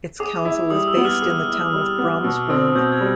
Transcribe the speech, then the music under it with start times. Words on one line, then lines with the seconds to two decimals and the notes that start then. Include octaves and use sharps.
Its council is based in the town of Bromsgrove.
0.20 G#4 D6
0.45 E4
0.70 G3 D#6
0.88 E6
0.97 B3
1.05 F6
1.22 G#4
1.48 E4
1.73 G3
1.98 B3
2.24 B2 E6
2.49 C4 D#6
2.75 B2 G6
2.92 G#6
3.01 G3